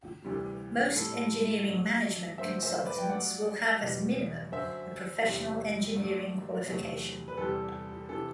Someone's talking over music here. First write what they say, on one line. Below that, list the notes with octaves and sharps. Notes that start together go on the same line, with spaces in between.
Most engineering management consultants will have as a minimum a professional engineering qualification.
D2 C3 E3 G3
A2 G3 A4
G2 F#3 A3
G2 D3 F#3 A3 C5 E5
C5 E5
B4 D5
G5
G2 F#3 A3 D5 F#5
E2 B2 G3
F#2 D3 F#3 C5 E5
E2 C3 G3
G2 F#3 A3
E2 C3 F#3 A3
B4
E2 C3 G3 A4
C3 E3 A4